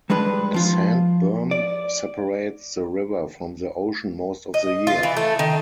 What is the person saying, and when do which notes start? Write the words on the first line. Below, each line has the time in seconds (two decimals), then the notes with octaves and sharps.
A sand berm separates the river from the ocean most of the year.
0.10 G3 G#3 D4 B4
0.54 F3 F4
1.51 D5
4.54 D#5
4.87 F4
5.03 E3
5.17 A3
5.39 D#3